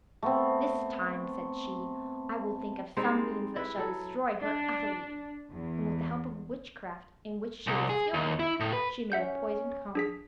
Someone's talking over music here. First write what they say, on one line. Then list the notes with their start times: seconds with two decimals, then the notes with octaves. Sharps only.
"This time," said she, "I will think of some means that shall destroy her utterly;" and with the help of witchcraft, in which she was skilful, she made a poisoned comb.
0.22 A3 B3 C4
2.97 G3 G#3 C4 D#4
3.56 E4 B4
3.77 F#3 A4
4.39 D4
5.51 E2
7.67 C2
7.89 G#4
8.14 D#2
8.40 E4
8.60 A2
8.73 B4
9.12 C#4 E5 F#5 G6
9.95 D4 G#4 B6